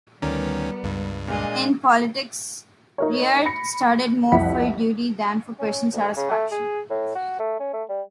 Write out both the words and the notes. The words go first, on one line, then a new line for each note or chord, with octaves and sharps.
In politics, Riart started more for duty than for personal satisfaction.
D2 D#3 G3 B3 C#4 A#4 D5
C#2 G2
A#2 G#3 D4 D#5 G#5
D#4 A#4 C#5
B5 A#6 C#7
C2 F2 E4 F#5 B6
C#4
D2
C#3
A3
G#4
A2
F#4
A3
C#4
A3
G3